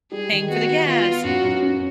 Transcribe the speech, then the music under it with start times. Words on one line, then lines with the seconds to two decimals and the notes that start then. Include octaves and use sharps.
p paying for the gas, and
0.12 G3 G#4
0.32 D#3
0.50 B3 F#4
0.68 D#3
0.87 B3 F4
1.06 B3
1.24 F#2 F#4
1.44 F#2
1.62 C#4